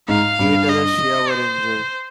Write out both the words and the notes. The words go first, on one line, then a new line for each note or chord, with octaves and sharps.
Eight other Shia were injured.
G#2 F5
G2
D#5
C5